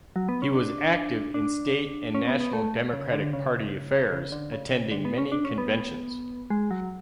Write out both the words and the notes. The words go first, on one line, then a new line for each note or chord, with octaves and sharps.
He was active in state and national Democratic party affairs, attending many conventions.
F#3
B3
C#4
D4
D4
C#4
B3
B3
A3
C#3
D3
C#3
C#3
D3
C#3
C#3
D3
B3
C#4
D4
C#4
B3
G#3
F#3